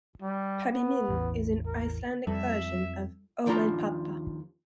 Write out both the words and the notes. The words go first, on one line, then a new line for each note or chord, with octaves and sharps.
"Pabbi minn" is an Icelandic version of "O Mein Papa".
G3
B3
A1 E2
A#4
F2 G3 A4 E5
D#2 F3 D4 F4 A#5